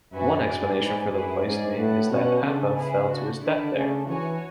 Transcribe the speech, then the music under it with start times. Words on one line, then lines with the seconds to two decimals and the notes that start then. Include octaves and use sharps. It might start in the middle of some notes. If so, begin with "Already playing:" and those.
One explanation for the place name is that Apa fell to his death there.
0.13 F#2 D4 F#4 B4 E5 G#5
0.46 D4 G#4 D5 G#5
0.79 G#2 E4 B4 D5 G#5
1.11 F#2 A3 E4 G#4 B4
1.44 G#2 C#4 G#4 D5 G#5
1.77 A2 E4 B4 F#5 A5
2.10 B2 C#4 F#4 C#5 F#5
2.43 C#3 A3 D4 A4
2.76 B3 E4 G#4 B4
3.08 A3 D4 F#4
3.41 D3 E4 A4 D5 A5
3.74 C#3 A3 D4 A4
4.07 E3 F#4 C#5 G#5